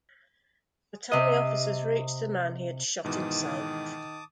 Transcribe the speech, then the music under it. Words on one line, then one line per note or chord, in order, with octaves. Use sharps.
By the time the officers reached the man, he had shot himself.
C3 D#5
G#2 B2 D#3 E3 A5 D6 D#6